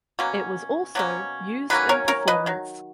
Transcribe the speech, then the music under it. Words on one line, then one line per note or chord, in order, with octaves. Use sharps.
It was also used in performance.
B2 F#3 A#3 C#4
B2 F#3 A#3 C#4
D#3 F#3 A#3 C#4 B4
A#4 C#5
A#4 C#5
B4 D#5
D#3 F#3